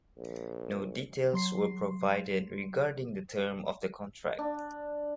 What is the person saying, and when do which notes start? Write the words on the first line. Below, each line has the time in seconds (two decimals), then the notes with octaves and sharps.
No details were provided regarding the term of the contract.
0.18 A#1
1.33 F#3 C6 C7
4.39 D4